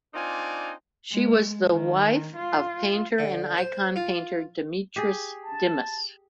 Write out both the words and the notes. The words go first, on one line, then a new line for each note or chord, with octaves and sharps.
She was the wife of painter and icon painter Dimitris Dimas.
C4 D4 D#4 F4 D5 G#5
G#3
D#3
F4
D3
C5
F4
G4 G#4
A5